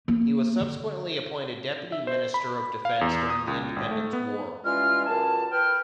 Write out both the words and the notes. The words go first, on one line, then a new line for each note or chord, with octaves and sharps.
He was subsequently appointed Deputy Minister of Defense during the Independence War.
A#3
D3
E5
C5
B5
F5
E2
D#6
C#2
G#1
A3
B3
E3 G3 G#3 C#4 F4 F6
C#2 F#2 G#5 A5
B4 G5 F6